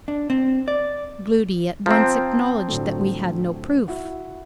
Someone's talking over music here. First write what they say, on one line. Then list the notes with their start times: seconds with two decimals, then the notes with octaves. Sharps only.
Gloody at once acknowledged that we had no proof.
0.08 D4
0.30 C4
0.68 D5
1.86 F3 C4 A#5
2.68 A2 D3 F#3
3.88 E4 F#4 F#5